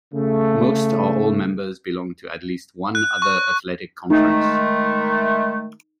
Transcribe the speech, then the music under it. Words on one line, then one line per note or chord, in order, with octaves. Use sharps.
Most or all members belong to at least one other athletic conference.
C#3 A3
F#6
C#6
D#3 G#3 A3 D#4